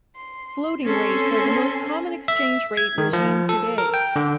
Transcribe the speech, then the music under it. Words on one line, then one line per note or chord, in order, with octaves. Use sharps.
Floating rates are the most common exchange rate regime today.
C6
C4 C#4 A4 G#5 C6
E5
G#6
D#3
F3
A4
A#4
G5
D3